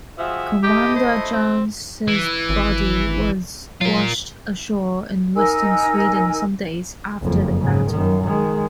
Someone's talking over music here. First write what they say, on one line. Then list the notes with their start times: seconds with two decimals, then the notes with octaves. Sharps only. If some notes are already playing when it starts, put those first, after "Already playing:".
Commander Jones' body was washed ashore in Western Sweden some days after the battle.
0.18 F3 F#4 G#4 E5
0.63 A3 E4 G4 D#5
0.96 C5
1.33 C4
2.08 E3
2.49 G#1
3.81 F#3 F4 A#4
5.36 D#4 A#4 G#5 E6
7.21 F#1 F2
7.60 G#2 C#3
7.90 F#2 D#3
8.24 D#3 G#3